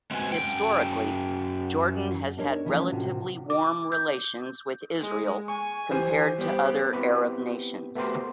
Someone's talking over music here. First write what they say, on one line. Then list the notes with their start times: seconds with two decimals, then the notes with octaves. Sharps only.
Historically, Jordan has had relatively warm relations with Israel compared to other Arab nations.
0.11 G#3 C4 F#4 B4 F#5 G#5
0.32 F#2 G3 G5
2.37 D4 D#4 A#4 C#5
2.65 C#3 E3 F3 G3 A3 C#4
2.92 A2 C3 F4 F#4
3.50 D6
3.92 G6
5.00 G#3
5.48 G#5 C#6
5.91 E3 G4 C5
6.38 G3 B3 G4 C5
6.93 B3 C4 E4 G4 B4
7.95 A3 B3 F#4 G4 A#4 C5